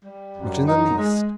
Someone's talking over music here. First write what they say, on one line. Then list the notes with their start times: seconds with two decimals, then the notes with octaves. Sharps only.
"Not in the least."
0.04 G3
0.36 F#2
0.67 D#4
0.97 G#3